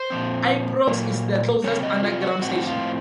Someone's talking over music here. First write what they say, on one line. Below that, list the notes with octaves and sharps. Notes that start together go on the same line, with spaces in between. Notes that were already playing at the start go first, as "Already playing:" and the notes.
Ibrox is the closest underground station.
Already playing: C5
A#2 F3 C4
A#2 F#3 A#3
C3 F#3 C4 C#5
D#5
F4
F#4
A2 F3 C4 F#4
F4